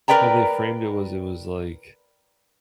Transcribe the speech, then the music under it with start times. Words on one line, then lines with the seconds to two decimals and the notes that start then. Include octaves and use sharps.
how they framed it was it was like,
0.08 A#4 B4 D5 G5 A#5